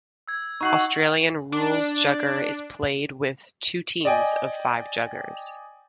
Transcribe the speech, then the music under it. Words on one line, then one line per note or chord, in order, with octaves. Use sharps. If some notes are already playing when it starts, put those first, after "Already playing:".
Australian Rules Jugger is played with two teams of five juggers.
E6 G#6
D#4 F#4 C#6 C7 F#7
D4
D5 D#5 G5 G#5